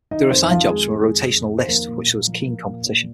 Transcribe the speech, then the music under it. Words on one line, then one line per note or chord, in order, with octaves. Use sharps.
They were assigned jobs from a rotational list, for which there was keen competition.
D#3 D#4 D#5
F2 C4 C5
D#4
F2 F3 F4
D#3 G#3 G#4
D#3
F2
F2
D#3
C5
F3 A#3 A#4
A#2
A#2
F3
F3
A#2
A#2